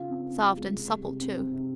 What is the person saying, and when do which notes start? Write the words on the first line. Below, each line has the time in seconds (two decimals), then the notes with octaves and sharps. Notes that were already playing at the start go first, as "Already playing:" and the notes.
Soft and supple too.
Already playing: C#3 F4
0.09 C4
0.26 F4
0.41 F4
0.57 G#3
0.73 C3
0.88 G3
1.04 C3
1.20 C4
1.37 C4
1.52 C3